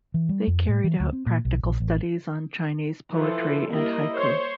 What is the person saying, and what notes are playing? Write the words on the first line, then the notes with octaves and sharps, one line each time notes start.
They carried out practical studies on Chinese poetry and "haiku".
E3
G3
F2
A2
E3
D2
C4
A#2
B1
A#1
A1
E3 F3 A4
G3 A#3 E4 A#4 D#5
C5 C#5